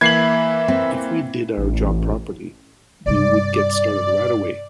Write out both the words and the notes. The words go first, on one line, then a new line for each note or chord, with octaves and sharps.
If we did our job properly, we would get started right away.
E3 A#3 E5 B5 G#6 C7 F#7
C4
A1
G2 C3 D5